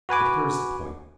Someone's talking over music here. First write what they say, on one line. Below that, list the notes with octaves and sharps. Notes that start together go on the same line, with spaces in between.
But here is the point.
F#4 B4 G#5 D6